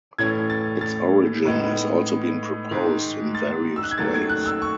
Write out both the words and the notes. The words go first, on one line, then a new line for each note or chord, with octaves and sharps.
Its origin has also been proposed in various ways.
A1 A2 E3 A3 C#4 G#6
A6
A6
A2 G#3 B3 D#4
G#2 D#3 G#3
A6
E6
F#6
G#6
D#2 D#3 F#3 A3 A6
G#6
F#6
E6
C#6